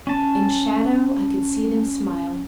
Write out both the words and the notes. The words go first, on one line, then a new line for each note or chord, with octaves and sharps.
In shadow, I could see them smile.
C#4 A5